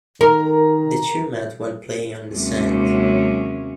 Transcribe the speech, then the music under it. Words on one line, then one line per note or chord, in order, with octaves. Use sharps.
The two met while playing on the sand.
D#3 A#4 A#5
D#2 C3 F#3 G#3 C#4